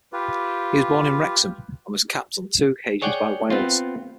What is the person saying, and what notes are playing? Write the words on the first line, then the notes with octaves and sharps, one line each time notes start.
He was born in Wrexham, and was capped on two occasions by Wales.
F4 G4 B4
G#4 C#5 D5 F#5 G5
B3 C4 F4